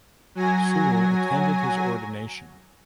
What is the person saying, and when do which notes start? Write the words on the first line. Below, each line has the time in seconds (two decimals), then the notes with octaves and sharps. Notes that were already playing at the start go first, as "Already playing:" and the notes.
Sewall attended his ordination.
0.35 F#3 G#5 A#6